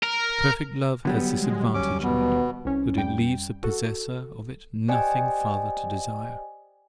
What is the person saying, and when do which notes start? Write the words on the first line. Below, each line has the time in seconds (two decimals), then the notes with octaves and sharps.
Perfect love has this advantage in it, that it leaves the possessor of it nothing farther to desire.
0.03 A#4
1.05 D3 F#3 G3 B3
1.41 G#3
1.74 D#2 C#4 D6
2.03 B2 B3
2.65 C2 C#4
2.96 F2 G3 G5
3.64 F#4 A4
4.88 G4 C5 D5 D#5 G5 G#5